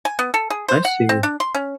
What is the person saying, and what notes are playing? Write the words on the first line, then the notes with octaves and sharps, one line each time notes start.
I see.
G#5
B3
A4
G#4
C5
F#5
C4
D4
C6
C#4